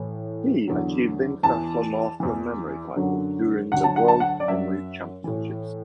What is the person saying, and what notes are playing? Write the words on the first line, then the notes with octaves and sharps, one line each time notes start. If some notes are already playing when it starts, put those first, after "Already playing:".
He achieved the International Master of Memory title during the World Memory Championships.
Already playing: A2 E3
E2 D3 F#3
E2 E3 A5
E2 E3
F#2 D3 F#3
D2 D3 F#3 F#5
A5
F#5
A5
F#5
D5
F#2 F#3 E5
A2 E3